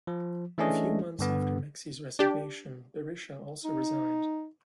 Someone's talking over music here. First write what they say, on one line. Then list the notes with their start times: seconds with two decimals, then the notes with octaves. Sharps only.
A few months after Meksi's resignation, Berisha also resigned.
0.07 F3
0.58 E3 A3 C#4 D4 G#4 D#5
1.19 G2 D3 B3
2.19 D4 G4
3.64 D#4